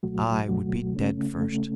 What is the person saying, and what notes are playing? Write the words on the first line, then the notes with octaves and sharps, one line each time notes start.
I would be dead first!
C#2 B2 F#3 A3 F#4
C#2 B2 F#3 A3 F#4
C#3 A3 C#4
C#3 A3 C#4